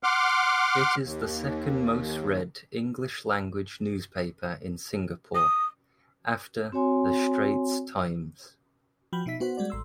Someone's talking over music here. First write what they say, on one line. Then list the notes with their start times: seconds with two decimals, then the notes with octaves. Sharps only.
It is the second-most-read English-language newspaper in Singapore, after "The Straits Times".
0.03 F#5 C6 D6 F6
1.04 D#2
5.34 D#6
6.72 C4 F#4 C#5 G#5 C6
9.13 F3 F#4 G5 B5 G6
9.26 B2 D#4 E5 B6
9.40 B3 F#4 C5 F#5
9.57 G3 G#3 F#4 D5
9.70 A1 C6 E6